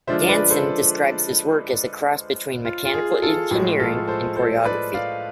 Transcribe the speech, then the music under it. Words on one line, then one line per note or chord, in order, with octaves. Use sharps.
Ganson describes his work as a cross between mechanical engineering and choreography.
D3 F3 G#3 D4 F4 C5 E5
B4 D5
A4 C5
F4
F4
G#4
F4 A4
A2 F3 G#3 G#4
F4 A4
A4 C5
A4 C5
B4 D5
D5 F5